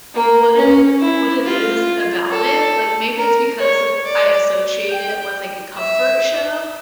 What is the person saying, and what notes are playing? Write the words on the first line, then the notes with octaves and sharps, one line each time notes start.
what it what it is about it, like, maybe it's because it I associate it with, like, a comfort show
A#3
C#4
E4
F4
A4
A#4
C#5
D5
G5
E5